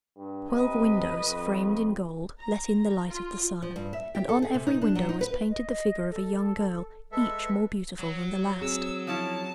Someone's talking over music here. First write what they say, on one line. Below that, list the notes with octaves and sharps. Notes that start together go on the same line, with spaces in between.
Twelve windows framed in gold let in the light of the sun, and on every window was painted the figure of a young girl, each more beautiful than the last.
G2
C3 B4 D#5
F2
A#5
F4
F3
G2
E5
G4
A4
G#4
C3
D#4
D4
F#3
D#4
B4
D#5
A4
G#3 A4 B4 E5
F#3
C4 F#4 G#4 E6
F3 C#4 E4 A5